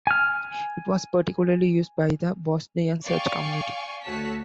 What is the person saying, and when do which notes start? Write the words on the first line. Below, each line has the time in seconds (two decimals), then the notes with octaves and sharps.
It was particularly used by the Bosnian Church community.
0.07 G#5 F6
3.05 D5 F5 G5 G#5 C#6
4.04 D2 A3 F#4 C#5 A5 B6